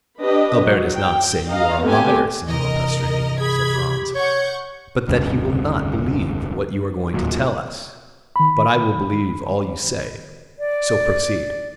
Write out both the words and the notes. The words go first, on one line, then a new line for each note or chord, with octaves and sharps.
"Albert does not say you are a liar, Signor Pastrini," said Franz, "but that he will not believe what you are going to tell us,--but I will believe all you say; so proceed."
D4 G4 B4 D#5
F#3
G5
D#5 F5 A#5
A3 B3 C4 G4 G#5
C3 E3 A#4 D#5
G#4 B5 G#6
G4
C#5 F#5 C#6 G6
F1 D2 G2 C#3
D1 D#2 A#2 F#3
D#3 B5
D5